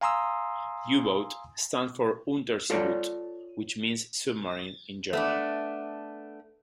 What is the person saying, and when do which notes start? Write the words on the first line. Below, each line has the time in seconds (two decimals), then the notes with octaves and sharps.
U-boat stands for Unterseeboot, which means submarine in German.
0.01 F5 G#5 A#5 C6 D#6 E6
2.70 F4 A4 C#5 D5
5.13 A3 B3 D4